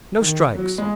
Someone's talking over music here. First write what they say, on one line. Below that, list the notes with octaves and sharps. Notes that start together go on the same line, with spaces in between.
No strikes!
D#3
F#3
G#3